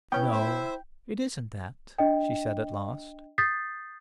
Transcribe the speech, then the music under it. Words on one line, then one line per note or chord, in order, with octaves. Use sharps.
"No it isn't that," she said at last.
B3 C#4 E4 G5
C5 E5
D4 D#5 G5
D#6 G6 A6 B6 C7